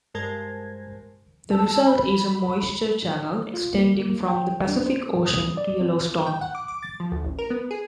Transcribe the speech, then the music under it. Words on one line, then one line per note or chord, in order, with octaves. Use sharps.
The result is a moisture channel extending from the Pacific Ocean to Yellowstone.
G2 G#3 A#4 C5 A5 G#6
A5 E6
B5
F4
A#3
A#3
G5
D4
C5
D#6
D5
C4
G5
F#5
D6
D6
A6
F3
D2
A1
A#4
B3
G#4